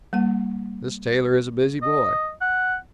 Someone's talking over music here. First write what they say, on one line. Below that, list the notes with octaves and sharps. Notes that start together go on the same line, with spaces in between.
This tailor is a busy boy.
G3 A#3 F#5
D#5
F#5